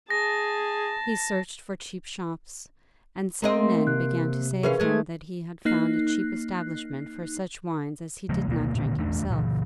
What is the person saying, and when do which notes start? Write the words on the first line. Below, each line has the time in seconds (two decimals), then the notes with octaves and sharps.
He searched for cheap shops; and some men began to say of him that he had found a cheap establishment for such wines as he did not drink himself!
0.10 G#4 A5 A#6
3.42 A#3 C4 D#5
3.60 A3
3.87 C3 F#6
4.63 E3 C#4 G#4 A#4 B4 F5
4.80 G#3 A3 G#6
5.65 A#3 D#4 F#6 C7
8.29 C#3 F3 G#3 A#3
8.47 D2 B2 A#3
8.76 A#2 D3 D#3 A#3
8.97 D#1 E2 A3 D4
9.30 A#2 C#3 E3